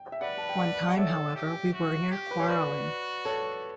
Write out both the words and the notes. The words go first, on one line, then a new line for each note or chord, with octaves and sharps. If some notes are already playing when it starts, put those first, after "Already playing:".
One time, however, we were near quarrelling.
Already playing: G5
E5
B4 D5 F#5
A5
G5
D5 F#5
F#5
A4 C#5 E5
G4
F#4
G4
B4
C#5
F#4 B4 D5
A4 C#5